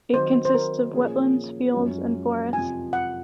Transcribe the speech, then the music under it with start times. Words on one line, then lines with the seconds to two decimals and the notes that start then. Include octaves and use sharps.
It consists of wetlands, fields, and forests.
0.14 D#3 F#3 C4 C5
0.45 C5
0.54 A#4
0.93 A#2 F3 A#3 C#4 G#4
1.74 F#2 F3 G#3 C#4 F#4
2.53 F2 C3 F3 G#5
2.93 F#5